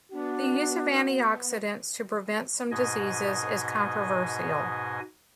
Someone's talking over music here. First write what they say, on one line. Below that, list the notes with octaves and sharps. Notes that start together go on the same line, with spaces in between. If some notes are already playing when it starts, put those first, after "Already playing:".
The use of antioxidants to prevent some diseases is controversial.
B3 D4 F#4
G#2 B2 D#5 G#5